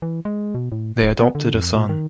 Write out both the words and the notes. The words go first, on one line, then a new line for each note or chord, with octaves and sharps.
They adopted a son.
E3
G#3
B2
A2
D1
B3
D3
F2
A#2
D#3